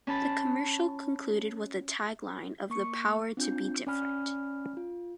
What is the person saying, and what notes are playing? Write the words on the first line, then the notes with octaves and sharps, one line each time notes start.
The commercial concluded with a tagline of "the power to be different".
C#4 A5 B5
A#3 C#6 C#7
C4 D4 F4 G6
C#4 D5 G#5 B5 F6
F4